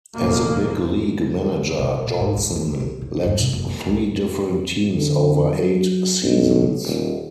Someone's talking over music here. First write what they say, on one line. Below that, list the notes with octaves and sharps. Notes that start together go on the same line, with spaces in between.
As a big-league manager, Johnson led three different teams over eight seasons.
F1 F2 A#2 A#3
C3
A#2
G#2
D3
A3
C#3
C#3
G2
C3
F#1
A#3
C#2
D3
F#3
B1
D#1